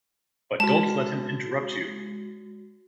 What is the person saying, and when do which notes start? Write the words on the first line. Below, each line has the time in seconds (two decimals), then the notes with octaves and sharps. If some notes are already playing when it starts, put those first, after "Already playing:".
But don't let him interrupt you.
0.60 G#3 F#4 A5